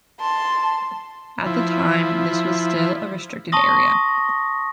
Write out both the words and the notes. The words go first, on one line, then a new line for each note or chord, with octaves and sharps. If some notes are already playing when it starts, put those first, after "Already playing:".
At the time this was still a restricted area.
A5 C6
F3 E4
A5 C6 C#6 D#6 A#6